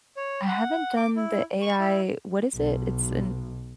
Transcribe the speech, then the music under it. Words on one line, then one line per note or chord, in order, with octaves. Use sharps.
I haven't done the AI what is it? It's an
C#5
F#5
D6
E4
C#6
E4
B1